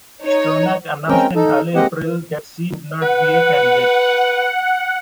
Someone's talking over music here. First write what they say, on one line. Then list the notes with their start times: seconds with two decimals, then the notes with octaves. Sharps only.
Stronach announced in early April that she would not be a candidate.
0.22 D#4 C#5
1.08 G#3 C4 C#4 A#4 G5
1.35 D#4 A4
1.75 G#3 A#3 C4 G4 D#5 F#5
3.02 B4 F#5